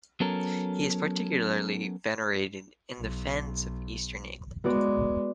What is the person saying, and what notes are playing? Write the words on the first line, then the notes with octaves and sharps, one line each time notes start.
He is particularly venerated in the Fens of eastern England.
F#3 B3 C#4 A4 A#4
B1
G#3 B3 F#4 D5